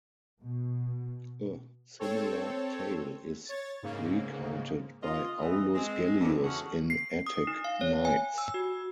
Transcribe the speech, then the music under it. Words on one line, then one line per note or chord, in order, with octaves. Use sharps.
A similar tale is recounted by Aulus Gellius in "Attic Nights".
B2
C4 A4 C#5
C#5 A6
G#2 C#3 A#3
F4 D#5
E3 D#5
G#3 C4
F2 A2 E3 D4
E2 A3 C#4 F#4 G#4 F#5
C7
D#6
D#4
F5
C#5
G#5
E6
F#4